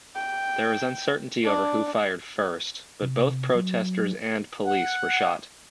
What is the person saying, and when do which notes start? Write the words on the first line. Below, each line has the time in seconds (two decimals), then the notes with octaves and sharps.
There is uncertainty over who fired first but both protesters and police were shot.
0.16 G5
1.45 D4
3.02 C3
3.55 F#3
4.66 F#5